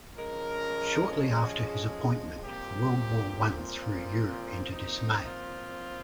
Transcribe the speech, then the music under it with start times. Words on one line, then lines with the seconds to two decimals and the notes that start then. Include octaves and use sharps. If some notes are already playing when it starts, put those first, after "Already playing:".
Shortly after his appointment, World War One threw Europe into dismay.
0.16 F3 G#3 C#4 A#4
1.30 G#4
2.43 A#2 F3 C4 G4
3.57 F4
4.70 A#2 F3 C4 D#4
5.27 F4